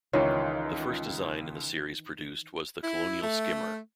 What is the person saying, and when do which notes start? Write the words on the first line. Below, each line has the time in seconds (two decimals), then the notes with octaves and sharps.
The first design in the series produced was the Colonial Skimmer.
0.13 C#2 D#3 E3 D#4 F4 C#5
2.82 E4
3.22 A3